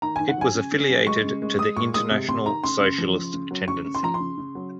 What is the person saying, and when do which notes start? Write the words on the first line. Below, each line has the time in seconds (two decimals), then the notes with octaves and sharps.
It was affiliated to the International Socialist Tendency.
0.02 D#3 A#5
0.16 D#3 G#5
0.28 F#5
0.37 F#3 G#5
0.55 C#3
0.72 C#3
0.89 F#3
1.07 G#3 C#6
1.24 C#3
1.42 G#3
1.59 G#3 D#6
1.77 A#2 C#6
1.94 G#3 D#6
2.11 C3
2.28 C3 C6
2.46 D#3 A#5
2.64 C#3 C6
2.81 C#3
2.98 F3
3.16 C#3
3.33 C#3
3.51 F#3
3.68 C#3 C#6
3.85 C#3
3.95 C6
4.03 F3 A#5
4.14 C6
4.20 C#3
4.38 C#3
4.55 F#3